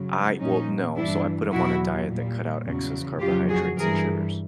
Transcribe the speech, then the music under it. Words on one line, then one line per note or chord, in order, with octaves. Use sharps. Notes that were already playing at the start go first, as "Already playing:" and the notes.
I well, no. So, I put him on a diet that cut out excess carbohydrates and sugars.
Already playing: F#2 C#3 F#3
A#2 F3 C#4 D#4
G2 E3 G3 D4 E4
E2 B2 F#3 E4 F#4
A#2 G3
E2 C#3 F#3
F2 C#3 F#3 F4 G4
F#4 G#4
G2 E3 G3 G#4 A#4